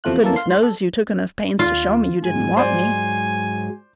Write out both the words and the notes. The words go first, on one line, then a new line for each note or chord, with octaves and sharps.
Goodness knows, you took enough pains to show me you didn't want me.
E2 C3 F3 A3 F4 F#6
E3 A#3 C#4 A4 A5
F5 C6
G#2 C5 B6
A4
D#2 F4
G#2 F#3 G#3 G#5
C5 D5 G#5